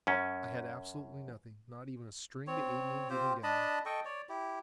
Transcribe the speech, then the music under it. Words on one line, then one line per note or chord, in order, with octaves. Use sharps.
I had absolutely nothing, not even a string, to aid me in getting down.
F#2 C#4
C4 C#5
C4 F4 G4 C5
D4 D#5 A5 B5
A4 D#5 G5 C#6
C#5 D5
E4 G4